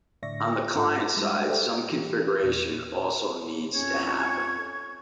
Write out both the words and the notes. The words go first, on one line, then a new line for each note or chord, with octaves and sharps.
On the client side some configuration also needs to happen.
A2 D3 D5 E5 C#6 A#6
G#2 F4 A4 E5 C#6
G3 G#3
G4 A4 C5 D5 E5 G5
E3 G4
E2 A#2
F2 C#4 C#5 C#6 G#6